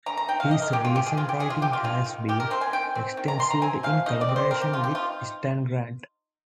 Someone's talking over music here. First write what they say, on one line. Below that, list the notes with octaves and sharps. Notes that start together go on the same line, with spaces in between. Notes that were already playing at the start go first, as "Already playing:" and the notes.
His recent writing has been extensively in collaboration with Stan Grant.
D3 A#5
A#5
D#4 G5
F5
D3 D#5
A#4
G#3 G4
F4
G#3 G4
G#4
G#3 F4
G4
G#3 G#4
F4
D3 G4
F4
G#3 F4
D#3
D#3 G4
A#4
C4 C5
G#5
D#3 G5
C4
D#3
A#5
D#3 C6
A#5
C4 G#5
F3 F5
D#4 D#5
D5
C4
C5
C4 A#4
G4
F3 F4
G4
D#4 F4